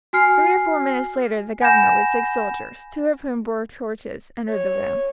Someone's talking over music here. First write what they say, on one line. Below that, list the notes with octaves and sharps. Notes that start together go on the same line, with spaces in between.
Three or four minutes later the governor with six soldiers, two of whom bore torches, entered the room.
F#4 G#5 F6 C7
F#5 G#5 B5 G6 A#6 E7
C#5